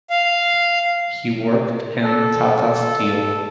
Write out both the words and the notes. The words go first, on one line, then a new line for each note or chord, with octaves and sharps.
He worked in Tata Steel.
F5
A4